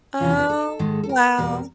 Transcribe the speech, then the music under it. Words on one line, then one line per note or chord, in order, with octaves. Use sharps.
Oh, wow.
E2 C3 E3 F4
G4
B4
A4
G#2 D#3 G#3
A4
A#4
E2 B2 G3